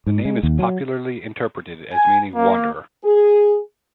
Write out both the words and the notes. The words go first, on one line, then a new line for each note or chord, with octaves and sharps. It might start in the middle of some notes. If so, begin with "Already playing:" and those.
The name is popularly interpreted as meaning wanderer.
G#2
G#3
D#2
F#3
G#5
A#3
G#4